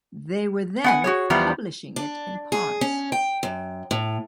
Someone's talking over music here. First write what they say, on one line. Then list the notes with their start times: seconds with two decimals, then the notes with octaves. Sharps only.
They were then publishing it in parts.
0.84 B3 F#5 G#5
1.04 F#4 G#4 C#5
1.30 E2 F3 G3 B3 A#5
1.96 D4
2.52 G#4
2.81 C#4
3.12 G5
3.43 F#2
3.91 A2